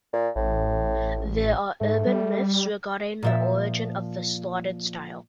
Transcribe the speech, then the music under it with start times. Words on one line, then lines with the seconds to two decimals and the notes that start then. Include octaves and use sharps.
There are urban myths regarding the origin of the slotted style.
0.13 A#2
0.36 A1 A2
1.81 G#2 A3
2.07 G3
3.23 A#2 F3 E5